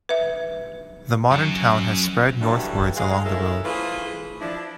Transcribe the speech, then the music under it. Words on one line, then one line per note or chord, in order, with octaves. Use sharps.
The modern town has spread northwards along the road.
B4 E5
F#3 C#4
G2 D3 E3 F#3 G3 F#4
G#3 F5
C#4 D#4 E4 A4 A#4
E3 A3 F4 G#4 B4 C5
F3 D4 E4